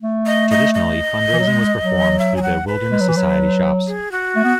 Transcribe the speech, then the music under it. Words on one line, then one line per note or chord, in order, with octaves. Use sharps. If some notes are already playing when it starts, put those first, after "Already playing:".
Traditionally fundraising was performed through The Wilderness Society Shops.
A3
D#5
D#5
D#5
E3
F#3
G#3
F#3
E5
G#5
F#5
B4
G#3
F#3
E3
F#3
G#4
F#4
A3
B3